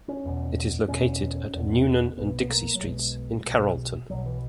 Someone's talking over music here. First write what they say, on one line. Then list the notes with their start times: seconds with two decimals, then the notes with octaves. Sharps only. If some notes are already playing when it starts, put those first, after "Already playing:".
It is located at Newnan and Dixie Streets in Carrollton.
0.08 C#4
0.24 E1 E2 B2
0.88 E1 E2 B2 C#4
1.53 E1 E2 B2
2.17 B1 B2 B3
2.40 B3
2.50 A#3
2.75 F#3
2.81 B1 B2 G#3
3.46 B1 B2
4.10 B1 B2 F#3
4.26 E3